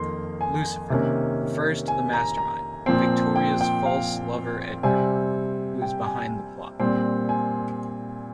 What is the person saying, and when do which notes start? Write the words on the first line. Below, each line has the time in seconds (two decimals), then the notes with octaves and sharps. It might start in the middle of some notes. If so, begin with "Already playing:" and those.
"Lucifer" refers to the mastermind, Victoria's false lover Edward, who is behind the plot.
Already playing: F2 D#3 A#3 C6
0.41 G#5
0.90 C3 D#3 A#3 C#4
1.88 G#5
2.13 A#5
2.37 A#5
2.86 A#2 F3 C4
3.36 G5
3.61 G5
3.86 F5
4.83 C3 G3 C4 G#5
5.82 G5
6.06 G#5
6.80 A#2 G3 C4
7.29 G#5